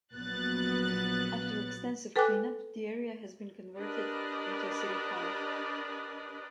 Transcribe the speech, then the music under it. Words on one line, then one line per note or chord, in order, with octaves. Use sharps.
After extensive cleanup, the area has been converted into a city park.
A#1 F#3 B3 F#6 A6
A4 B4 G5 G#5 D6 F#6
D4 G4 A#4 B4 D5 D#5